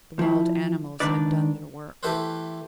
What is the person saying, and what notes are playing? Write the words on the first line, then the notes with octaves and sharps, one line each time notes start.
The wild animals had done their work.
F3 E4
C#2 C3 D#3 D4 B4 D5
E3 A3 G4 A4 B4 C5